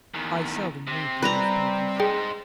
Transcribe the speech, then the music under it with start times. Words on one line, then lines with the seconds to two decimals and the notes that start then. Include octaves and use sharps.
"I seldom read the newspapers."
0.14 E2 D#3
0.87 C3 C4
1.23 G3 B4 A#5 F#6 A#6
2.00 D#4 G#4 C5 G5